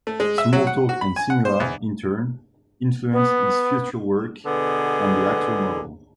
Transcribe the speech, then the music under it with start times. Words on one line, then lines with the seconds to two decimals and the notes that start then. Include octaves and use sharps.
Smalltalk and Simula, in turn, influenced his future work on the Actor model.
0.07 A3
0.20 G#3
0.38 E5
0.53 F#3
0.67 F#5
0.89 F#4
1.01 B5
1.16 G#5
1.30 F#5
1.45 C5
1.60 E2
3.12 B3
4.46 B2 D3 B3 G#4